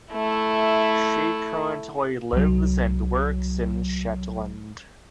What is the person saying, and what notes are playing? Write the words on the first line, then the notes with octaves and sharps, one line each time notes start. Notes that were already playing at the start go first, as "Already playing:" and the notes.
She currently lives and works in Shetland.
A3 E4
C2 F#3